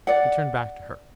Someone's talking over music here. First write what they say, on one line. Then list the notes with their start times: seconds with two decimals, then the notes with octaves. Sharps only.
He turned back to her.
0.07 D5 F#5